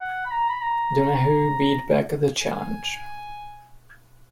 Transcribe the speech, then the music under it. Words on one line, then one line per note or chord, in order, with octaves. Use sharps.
Donohue beat back the challenge.
F#5
B5
A#5
B5
A#5
G#5